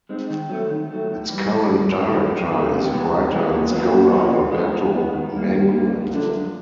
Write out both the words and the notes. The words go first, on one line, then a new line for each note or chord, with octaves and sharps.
Its current director is writer and scholar Alberto Manguel.
G#3 C4 D#4
D#3
F#3 A3
D#3
F#3 A3
A2
E3 G3
A2
E3 G3
F#2
D#3 F#3 A3
F#2
D#3 F#3 A3
C3
E3 G#3 B3
C3
E3 G#3 B3
A#2
F#3 B3 D4 F4
A#2
F#3 B3 D4 F4
E3
G#3 B3
E3
G#3 B3
D#3
G3 A#3
D#3
G3 A#3
F#2
D3 F3 A3 D4
F#2